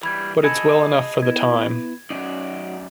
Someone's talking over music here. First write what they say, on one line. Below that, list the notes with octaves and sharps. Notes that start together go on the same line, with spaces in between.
But it's well enough for the time.
E3 G3 B5 G#6
G#4 D#5 G#5 A5 B5 E6 G#6 C#7
B3 E4 G#6
F#2 F#3 C#4 D#4 D5